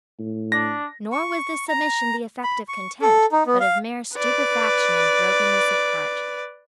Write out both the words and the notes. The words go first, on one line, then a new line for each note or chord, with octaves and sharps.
Nor was this submission the effect of content, but of mere stupefaction and brokenness of heart.
A2
D4 A#6
C#6
A#5
B5
C#6
A4
D#4
B3
F5
B4 D5